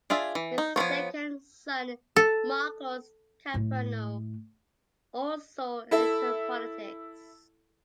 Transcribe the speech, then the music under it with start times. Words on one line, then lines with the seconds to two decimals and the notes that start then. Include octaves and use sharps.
His second son, Markos Kyprianou, also entered politics.
0.10 D4 F4 G#4 E5
0.35 E3
0.58 D#4
0.76 F3 B3 C4 C#5
2.16 A4
3.54 A2 A3
5.91 E4 A4 E5